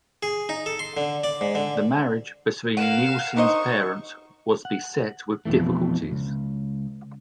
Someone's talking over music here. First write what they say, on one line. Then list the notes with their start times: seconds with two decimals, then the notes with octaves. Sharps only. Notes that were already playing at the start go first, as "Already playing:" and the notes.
The marriage between Nilsen's parents was beset with difficulties.
0.23 G#4
0.49 D#4
0.66 A4
0.79 C6
0.97 D3
1.24 D5
1.41 G#2
1.55 D3
2.77 A#4 F5 F#5 E7
3.37 D4 D#4 C5 D#5 C#6
4.65 F#5
5.45 F2 B2 D3 E3 A3
6.12 C#2